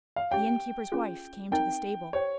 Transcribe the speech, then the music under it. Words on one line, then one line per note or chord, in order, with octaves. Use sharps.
The inn-keeper's wife came to the stable.
F5
C#4 G4 C#5 F5 G5
C#4 F4 G#4
C4 D#4 A#4 G5
G4 C5 C#5 G5